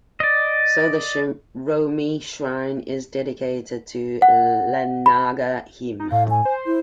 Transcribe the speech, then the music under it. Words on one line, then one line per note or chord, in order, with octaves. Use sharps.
So the Shiromi shrine is dedicated to Ihanaga-Hime.
D5 D#5
F#5
B5
D#4
A2 F5
G#5
C5
E4